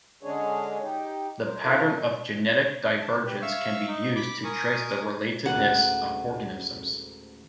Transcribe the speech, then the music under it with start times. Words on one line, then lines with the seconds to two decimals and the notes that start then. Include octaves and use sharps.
The pattern of genetic divergence can be used to trace the relatedness of organisms.
0.23 D3 G#3 C#4 D4 G#4 C#5
0.82 D#4 G4
1.40 A#4 C5
1.62 D#4 F4 A4 A#4
3.00 A5
3.25 G4 B4
3.42 E5 F5 C#6 E6
3.87 D#4
4.16 B5 D6
4.44 A#4 G#5 C#6 D#6
5.46 A1 D2 G#2 F#5